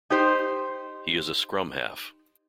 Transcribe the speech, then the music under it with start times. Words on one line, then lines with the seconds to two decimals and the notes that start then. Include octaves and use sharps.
He is a scrum half.
0.10 D#4 G4 C5